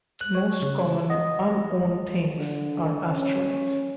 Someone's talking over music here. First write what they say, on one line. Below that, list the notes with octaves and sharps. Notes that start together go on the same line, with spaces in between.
The most common unowned things are asteroids.
F#6
C#5
C#3
D#5 F#5 D#6 A#6
D3
C#4